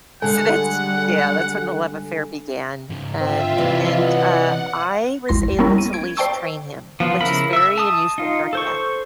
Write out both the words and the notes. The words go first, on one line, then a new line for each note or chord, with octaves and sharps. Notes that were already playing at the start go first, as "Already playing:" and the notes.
So that's Yeah, that's when the love affair began, and and, uh, I was able to leash train him, which is very unusual for a cat.
D3 G3 G#3 A4 F#5 G#5
G#2 C#3
C4 F4 E5
C3 E3 D5 D#5
B3 F#5
G#1 E2 C6 A#6
G3 A#3 B3 C#4 E4 A#4
D#7
G#6 D7
C5 D5 G5 A5 C#6 E6
F3 B3 F4
C#3 E4 A#4 B5
E5 E6
A5 D#6
D#4 F4
A4 C5 C#6